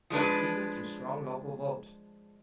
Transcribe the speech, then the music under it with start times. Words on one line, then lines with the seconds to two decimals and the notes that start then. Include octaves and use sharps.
Defeated through strong local vote.
0.10 F3 G#3 D4 B4